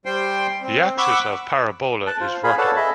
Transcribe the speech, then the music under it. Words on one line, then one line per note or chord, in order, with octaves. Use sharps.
The axis of the parabola is vertical.
G3 C5 G5 C6
C4
F#5 B5 C#6 D6 E6
A5 F#6
F4 C5
G#4 F5 G#5 B5
A4 B4 C#5 D5 F#5 A5
G#4 D#5 E5 B5